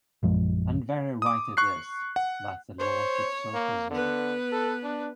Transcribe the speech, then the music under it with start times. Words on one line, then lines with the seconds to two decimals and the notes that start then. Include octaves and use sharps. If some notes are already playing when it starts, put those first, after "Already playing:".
And very right it is, that the law should so presume.
0.23 A#1 F#2 F3 G#3
1.22 D6 D#6
1.57 C#6 F#6 C7
2.16 F#5
2.79 C5 C#5
3.54 A#3
3.91 D3 B3 B4
4.52 A4
4.83 D4